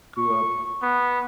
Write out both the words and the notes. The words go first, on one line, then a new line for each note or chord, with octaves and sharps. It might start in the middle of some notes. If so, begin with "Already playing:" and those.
grew up
C#6
B3